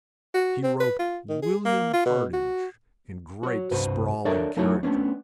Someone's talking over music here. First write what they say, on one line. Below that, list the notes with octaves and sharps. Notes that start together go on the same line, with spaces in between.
He wrote "William Hardinge" in great sprawling characters.
F#4
C4
B4
F4
D#3
G#4
A#3
F4
B2
F#4
F#4 C#5
C2 G2 F#4 B4 C5
D4 A4 A#4 C#5 D5 E5
F#3 A3 D#4 E4 F#4 C#5
A3 B3 C#4 D4